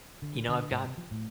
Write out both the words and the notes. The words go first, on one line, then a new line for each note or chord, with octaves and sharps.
you know, I've got
D3
D3
G#2
C3
F3
A2